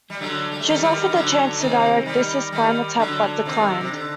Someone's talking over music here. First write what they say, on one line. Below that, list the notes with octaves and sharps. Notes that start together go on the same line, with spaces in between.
She was offered the chance to direct "This is Spinal Tap", but declined.
G3
D3 F#3
G3
A3
D#3 G3
D#3 G3
D#3
D3 F#3
C3 D#3
D#3 G3
D#3 G3
D3 F#3
C3 D#3
C3
D3